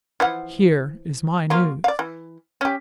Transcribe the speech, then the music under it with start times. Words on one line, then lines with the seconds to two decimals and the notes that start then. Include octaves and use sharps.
Here is my news.
0.20 E3 F3 F#5
1.50 F#3 A#3 F4
1.84 D5 F5
1.99 E3
2.61 C#4 G4